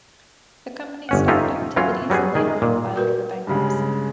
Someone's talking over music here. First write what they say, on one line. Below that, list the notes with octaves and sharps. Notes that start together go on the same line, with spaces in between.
The company stopped activities and later on filed for bankruptcy.
G1 C#4 F#5
C#4 D#4 F4 G4 A4 E5
E3 F#3 C#4 F4
F#3 G3 B3 C#4 G#4
D#3 G#4
A#2
F#4 A#4 B4
G2 C#3 G#3